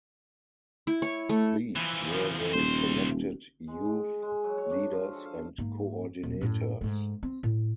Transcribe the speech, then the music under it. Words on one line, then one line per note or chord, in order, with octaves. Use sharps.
These were the selected youth leaders and coordinators.
E4
C#5
A3
E3 F3
D#1 C2 C5
G#3
G#3
G#3
F#3
C#5
D4
F3
A4
F5
G#2 A#3
D#1
F#2 A2
G#2 A3
C4
A2